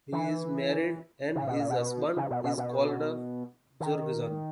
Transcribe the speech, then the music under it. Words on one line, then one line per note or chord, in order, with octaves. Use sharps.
He is married and his husband is called Jurgen.
E3
C#3
B2
A#2
B2
C#3
B2
B2
B2
D#3